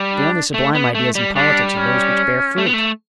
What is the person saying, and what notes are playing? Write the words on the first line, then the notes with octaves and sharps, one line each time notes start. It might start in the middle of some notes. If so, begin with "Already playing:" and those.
The only sublime ideas in politics are those which bear fruit.
Already playing: G3
D4
A3
B3
A3
G3
G3 D4
C#4
A3
B3
A3